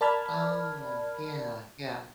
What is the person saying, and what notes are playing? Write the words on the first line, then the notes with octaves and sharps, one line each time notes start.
Oh, yeah, yeah.
A#4 D5 A5 B5 F6 G#6